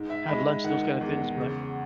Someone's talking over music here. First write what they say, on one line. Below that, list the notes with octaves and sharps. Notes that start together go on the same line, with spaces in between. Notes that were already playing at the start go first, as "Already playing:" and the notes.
Have lunch, those kinda things, but
Already playing: G#2
E5
G#3 B5
D#3 F#5
E2
C#3